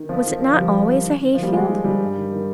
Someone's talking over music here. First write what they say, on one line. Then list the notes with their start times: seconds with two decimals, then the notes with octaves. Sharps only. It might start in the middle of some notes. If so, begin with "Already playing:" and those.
Was it not always a hay-field?
Already playing: D#3
0.09 F2 F3
0.25 D#3
0.42 F2
0.53 F3
0.56 F2 G3
0.73 D#3
0.89 D#3
1.04 D#3
1.20 D#3
1.34 D#3 F3
1.43 G3
1.52 D#3 G#3
1.68 D#3 G3
1.84 D#3 G3
2.00 G2
2.16 D#3
2.32 D#3